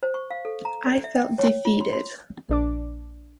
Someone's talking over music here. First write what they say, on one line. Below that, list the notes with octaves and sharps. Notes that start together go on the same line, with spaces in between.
I felt defeated.
C5
C#6
F5
A4
A#5
D5
E5
G5
C#5
F4
C6
C6
A#1 D4 D6